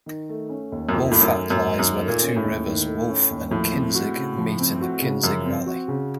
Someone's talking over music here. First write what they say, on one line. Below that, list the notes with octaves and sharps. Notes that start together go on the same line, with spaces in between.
Wolfach lies where the two rivers Wolf and Kinzig meet in the Kinzig valley.
D#3
A3
C#4
D#2
F#2
F2 D#3
A2 A3
F#2
C#4
F#2
D#2
F#2 D#3
A3
A#2
C#4
A2
D#2
D#3
A3
C#4
D#2
A2 F3
C4
F#4
C#3
F3
C4
F#4
C#3
F#2 F3
C4
F#4
C#3